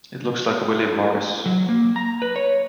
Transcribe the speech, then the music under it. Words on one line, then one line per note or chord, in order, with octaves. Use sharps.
It looks like a William Morris.
F#3
A#3
A#5
B4
C#5